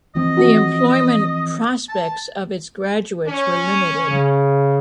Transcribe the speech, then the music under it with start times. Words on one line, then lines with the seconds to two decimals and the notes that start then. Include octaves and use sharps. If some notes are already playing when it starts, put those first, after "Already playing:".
The employment prospects of its graduates were limited.
0.15 E3 F3 C4 D#5
0.37 F#4
1.89 A5
3.26 C#4
4.02 C#3